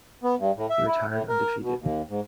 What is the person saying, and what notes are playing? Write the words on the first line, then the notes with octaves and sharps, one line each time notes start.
He retired undefeated.
B3
G2
A2
E5
E4
A2
A#4
B2
D#2
G#2